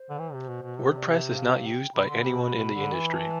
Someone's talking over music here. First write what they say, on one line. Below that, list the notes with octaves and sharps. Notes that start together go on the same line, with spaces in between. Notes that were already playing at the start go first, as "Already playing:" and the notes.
Wordpress is not used by anyone in the industry.
Already playing: C5
D3
E3
C3
B2
B2
C3 C5
D5
F5
E5
F5
G5
C3 B5
D3 C6
C3 B5
B2
B2
D3
E3
A5